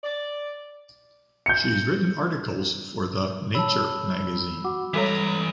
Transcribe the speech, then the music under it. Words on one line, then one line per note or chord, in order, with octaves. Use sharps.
She’s written articles for the “Nature” magazine.
D5
G6 C#7
C#5 A5 B5 E6
F#4 F#5 D6
E3 G3 G#3 A4 C#5 A#5 B6